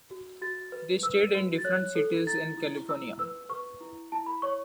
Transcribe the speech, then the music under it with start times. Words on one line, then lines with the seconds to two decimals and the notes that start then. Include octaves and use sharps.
They stayed in different cities in California.
0.11 F#4
0.42 F#4 A6
0.72 B4
1.03 B4 E6
1.35 F#4
1.58 A6
1.65 C#5 F#6
1.95 A4
2.27 E4 A6
2.57 E4
2.88 E4 E6
3.19 B4 E6
3.49 B4 C#6
3.81 E4
4.12 E4 A5
4.26 B5
4.42 C#5 C#6